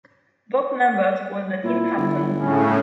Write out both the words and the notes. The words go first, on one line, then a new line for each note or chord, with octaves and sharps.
Bob Numbers was the team captain.
A#2 E4
G1
A2 C#3 C#4